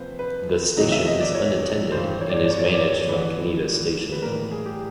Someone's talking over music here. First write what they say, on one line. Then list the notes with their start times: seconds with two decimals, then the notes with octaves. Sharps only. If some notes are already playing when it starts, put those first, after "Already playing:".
The station is unattended, and is managed from Kanita Station.
Already playing: C3 F3 A#3 B4 C5
0.19 B4
0.77 E2 C3 D#3 F#3 D#5
0.92 E5
1.07 D#5
1.20 D5
1.35 C#5
1.92 G2 E3 G3 C5
2.21 C#5
2.29 D5
2.37 C#5
2.43 D5
2.51 C#5
2.59 D5
2.66 C#5
2.73 D5
2.80 C#5
3.08 G#2 E3 G#3 B4
4.12 B4
4.22 A2 E3 G3 A#3 A#4
4.51 G#4
4.66 G4